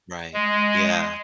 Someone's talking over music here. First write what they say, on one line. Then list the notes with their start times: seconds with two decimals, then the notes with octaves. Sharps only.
Right. Yeah.
0.34 G#3